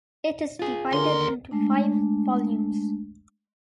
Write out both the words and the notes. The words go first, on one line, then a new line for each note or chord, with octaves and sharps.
It is divided into five volumes.
F4 G#4
D#2 D3 A#4 C6
G#3 A3 D4